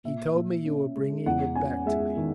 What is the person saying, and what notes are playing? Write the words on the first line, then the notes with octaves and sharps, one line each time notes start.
"He told me you were bringing it back to me."
A#2 E5
A#2
C#4
G#3
E2 F#5
C#4 G#5
G#3 E5
D#3